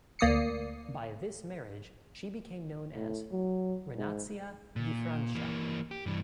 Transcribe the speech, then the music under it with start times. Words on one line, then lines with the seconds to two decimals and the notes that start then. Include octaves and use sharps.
By this marriage, she became known as "Renatia di Francia".
0.19 D2 A#3 D5 D#6 C7 C#7
2.95 A2
3.32 F#3
3.97 G#2
4.76 A#2
5.35 E3 A#3
5.91 G4
6.06 G2 E3